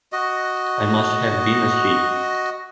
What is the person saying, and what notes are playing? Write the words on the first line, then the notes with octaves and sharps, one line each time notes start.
I must have been asleep.
F#4 D#5